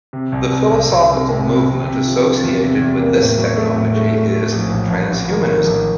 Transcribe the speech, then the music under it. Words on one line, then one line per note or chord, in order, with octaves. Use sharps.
The philosophical movement associated with this technology is transhumanism.
C3
C2
C2
C2
C2
C3
C3
C3
C3
C3
F3
F3
E2
C3
E2
A#3
A2
F#3
A3
A2
A3
A3
A3
A#1
A1
A1
A1
D#3
D#3
A1